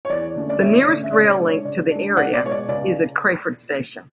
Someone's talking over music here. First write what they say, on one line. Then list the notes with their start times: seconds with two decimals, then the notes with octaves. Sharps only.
The nearest rail link to the area is at Crayford station.
0.05 C#5
0.09 E2 D5
0.36 D3 A3 C#4
0.49 D5
0.61 E2 C#5 E5
0.76 C#5
0.88 D3 A3 C#4 D5
1.03 E5
1.13 C#3 D5
1.24 C#5
1.30 D5
1.39 G#3 D4
1.48 C#5
1.65 C#3 D5
1.91 G#3 D4
2.17 C#2 D5 F#5
2.33 D5
2.43 B2 G#3 C#5
2.51 D5
2.68 C#2 D5